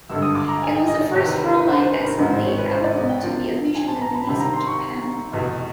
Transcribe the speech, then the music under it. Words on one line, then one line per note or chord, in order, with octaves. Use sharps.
It was the first Front Line Assembly album to be officially released in Japan.
G#1 G2 D3 E6
D#6
D6
A#5
G#5
G5
D#5
D5
E2 C3 D#3 C#5
B4
A#4
B4
C5
C5
B4
A#4
A1 G#2 F3 B4
C5
C#5
B4
C5
D5
D#5
G5
A#1 A#2 F3
G#5
A5
A#5
B5
C2 C3 D#3 B5
A#5
C6
C#6
F1 E2 B2